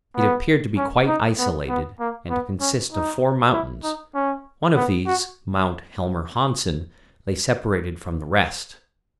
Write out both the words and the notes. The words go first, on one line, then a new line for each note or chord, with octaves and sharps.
It appeared to be quite isolated, and to consist of four mountains; one of these -- Mount Helmer Hanssen -- lay separated from the rest.
B3
C#4
D#4
B3
B3
A#3
B3
C#4
D#4
E4
D#4
C#4
B3
F#4